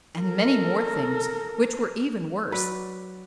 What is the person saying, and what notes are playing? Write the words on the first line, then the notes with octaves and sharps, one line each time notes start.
And many more things which were even worse.
A4 A#4
F#3 F#4 B4 D5